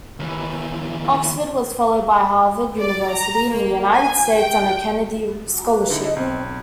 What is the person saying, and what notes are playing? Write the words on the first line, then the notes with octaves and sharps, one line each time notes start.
Oxford was followed by Harvard University in the United States, on a Kennedy Scholarship.
D#2 E3
D5
A#5
A#3
G#5
G5
F#4
B4
D3 D#4 E4 G#4
D#5
B1 C4